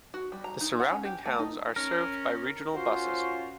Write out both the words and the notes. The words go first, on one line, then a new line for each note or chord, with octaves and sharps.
The surrounding towns are served by regional buses.
F#4
G3
A#5
D#4
F#5
C#4
G4
A3
D#4
C#4 A#4
C#4 F4 F#4 C5